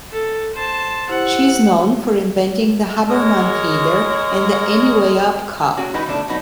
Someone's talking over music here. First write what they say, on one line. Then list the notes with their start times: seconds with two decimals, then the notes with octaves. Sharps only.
She is known for inventing the Haberman Feeder and the Anywayup Cup.
0.12 A4
0.53 C5 A5
1.09 E4 G4 C5 F#5
3.09 G#3 G#4 A#4 C#5
5.77 A#3 C#4 F#4 G#4
5.94 E3 G#3 D#4 F#4 B4
6.06 B2 D3 F3 A3 D4
6.28 F#3 B3 D#4